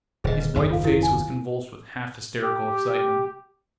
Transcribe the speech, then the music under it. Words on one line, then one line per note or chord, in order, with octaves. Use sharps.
His white face was convulsed with half-hysterical excitement.
D#1 D3 G#4 D#5
B4
F#1 D#2 G#2
F4 A4 F5
E4 G4 A#4
G#5
G4